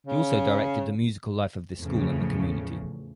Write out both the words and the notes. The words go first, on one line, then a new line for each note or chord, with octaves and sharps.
He also directed the musical life of this school and the community.
C#3
E2 A2 C#3 F3